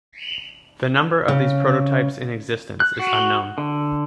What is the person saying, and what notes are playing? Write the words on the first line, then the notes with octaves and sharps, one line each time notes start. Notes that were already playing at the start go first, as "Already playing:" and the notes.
The number of these prototypes in existence is unknown.
C#3
F#6
F#4
D3